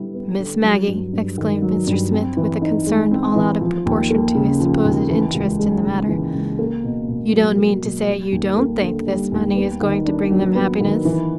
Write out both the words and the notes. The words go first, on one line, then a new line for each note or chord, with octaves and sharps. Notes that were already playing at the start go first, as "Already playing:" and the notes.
"Miss Maggie," exclaimed Mr. Smith, with a concern all out of proportion to his supposed interest in the matter, "you don't mean to say you DON'T think this money is going to bring them happiness!"
Already playing: D3 G3 B3 E4
B3
D3
F#3
G2
G2
D#3
F#3
G2
C4
E3
D#4
G#3
C4
E3
F3
D#2
A#3
C#3
F3
D#2
E3
C#2
G#3
C#3
E3
C#2
A#3
B2
B2
F#3
A#3
B2
G3
D#2
A#3
D3
G3
D#2
B3
D#3
D4
F#3
B3
D#3
E3